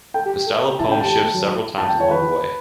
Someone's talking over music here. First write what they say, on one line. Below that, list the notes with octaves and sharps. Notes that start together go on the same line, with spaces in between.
The style of the poem shifts several times along the way.
A4 G5
G4
G4
A4
A4
G4
E4 A5
C#4
G5
A4
G4 A5
G4
A3
F#3
A5
G5
C#5
E3 B4
E3